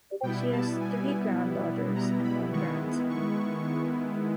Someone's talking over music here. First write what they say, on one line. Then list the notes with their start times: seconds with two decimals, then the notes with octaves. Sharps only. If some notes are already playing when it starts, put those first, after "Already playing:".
She has three granddaughters and one grandson.
0.23 B2 G3 B3 E4 G5
0.52 A5
0.81 G#5
1.96 A#5
2.24 B5
2.52 D#3 G#3 B3 E4 C#6
3.10 C#6